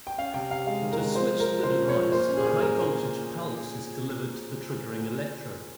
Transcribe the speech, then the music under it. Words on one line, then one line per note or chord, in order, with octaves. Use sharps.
To switch the device, a high voltage pulse is delivered to the triggering electrode.
G5
C#4 F5
C3 G5
C3 F5
G#3 F5
D#3
A#4
G#3
F3 C5
F3
A#4
F3
F3 C5
C#4
C#5
F3
A#2 C5
C#4
G#4
A#2
A#2 A#4
A#2